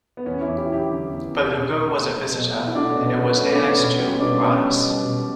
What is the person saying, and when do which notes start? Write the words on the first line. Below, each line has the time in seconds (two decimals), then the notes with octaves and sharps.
Balugo was a visita and it was annexed to Paranas.
0.17 B3
0.26 E2 C#4
0.41 C#4 E4
0.47 E2
0.57 E4 G4
0.67 F#3
0.72 E4 G4
0.88 D3
1.09 E2
1.30 E2
1.51 B2
1.71 B2
1.92 A3
2.13 F#3
2.33 B2
2.54 B2
2.67 E4
2.74 A3 D4 F#4
2.90 B2 C#4
3.06 B3
3.16 B2
3.22 B3
3.36 A3 C#4
3.52 A3 B3 D4
3.68 C#4
3.78 B2
3.83 B3
3.99 G3 C#4
4.20 B2 B3 D4
4.41 B2 C#4
4.62 G3
4.82 G3
5.03 B2